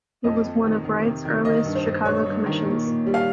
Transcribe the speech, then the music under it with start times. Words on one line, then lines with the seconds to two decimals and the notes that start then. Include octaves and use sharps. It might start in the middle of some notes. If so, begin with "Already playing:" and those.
It was one of Wright's earliest Chicago commissions.
0.24 F2 D#5
0.44 F2
0.64 D#3
0.85 D#3
1.05 C3
1.25 D#3
1.45 D#3 D#5
1.65 G2
1.75 C5
1.86 G2
2.05 G2 C#5
2.26 G2
2.46 D#3
2.66 A#2
2.87 A#2
3.06 G3
3.14 F5